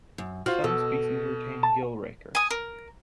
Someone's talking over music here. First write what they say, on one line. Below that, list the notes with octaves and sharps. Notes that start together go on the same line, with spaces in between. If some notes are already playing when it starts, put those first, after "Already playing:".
Some species retain gill rakers.
F#2
F4 F#4 C5 F6
B2 A4
A5
G#5 D#6
A#4